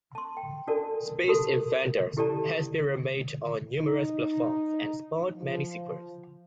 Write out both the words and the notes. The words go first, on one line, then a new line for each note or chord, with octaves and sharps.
"Space Invaders" has been remade on numerous platforms and spawned many sequels.
A5 C6
G5
D4 F#4 A4 A#4 D5 A5
F#4 G4 A4 A#4 A5 D#6
E4 G4 A4 D5 A5 A#5
D#4
F3